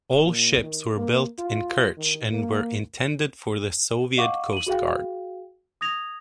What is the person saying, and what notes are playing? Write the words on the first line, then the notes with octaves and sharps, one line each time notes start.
All ships were built in Kerch and were intended for the Soviet Coast Guard.
A#2
D#3
A#3
F4
D#3
A#3
D#5 F5 F#5 C#6 D6
D#7 F#7
F#4 G#4 F5 G5
D#6 G#6 A#6 F7